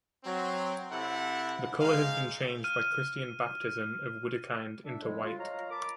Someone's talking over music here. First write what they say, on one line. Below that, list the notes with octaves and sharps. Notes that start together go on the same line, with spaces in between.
The colour has been changed by Christian baptism of Widukind into white.
F#3 C4
C3 E4 A4 F#5
G#2 G#3 F5
F6 D#7
D4 E5
F2 F3 G3 G#3
F4
C#5 D#5 F5 A#5
A#4 A5 B5 D6